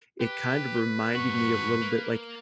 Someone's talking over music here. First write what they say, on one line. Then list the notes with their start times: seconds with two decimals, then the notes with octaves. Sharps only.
it kind of reminded me a little bit, like
0.21 G4 B4
1.15 G2 F#4 C#6
1.82 A#3